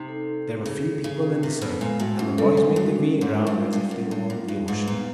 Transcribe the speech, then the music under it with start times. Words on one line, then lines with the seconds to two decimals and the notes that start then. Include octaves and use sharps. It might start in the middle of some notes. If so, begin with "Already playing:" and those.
There were few people in the surf and the boys made their way around as if they owned the ocean.
Already playing: C3 D#4
0.08 A4
0.28 C4
0.47 F#4
0.66 C#3 D#4
0.86 A4
1.04 C#3 C4
1.23 F#4
1.43 C3 C#4
1.62 B2 A4
1.81 A#2 G#3
2.00 A2 F#4
2.19 G#2 C#4
2.38 G2 A4
2.57 F#2 G#3
2.76 G2 F#4
2.96 C#4
3.15 A#4
3.21 G#2
3.34 G#3
3.47 G2
3.54 F4
3.72 G2 C#4
3.91 F#2 A#4
4.11 G2 G#3
4.30 F#2 F4
4.48 G2 D#4
4.68 G#2 B4
4.87 A#2 B3